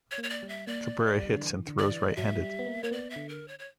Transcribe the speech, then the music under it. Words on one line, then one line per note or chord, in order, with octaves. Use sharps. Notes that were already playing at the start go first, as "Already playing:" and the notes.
Cabrera hits and throws right-handed.
C#5
A#3
C#5
D5
G3
E5
A#3 D5
G3
D3
E3
D3
D5
E3
F#3 E5
G3
B3
A#3
A#3 C#5
B3 D5
E5
D3
A#4
C#5
C#5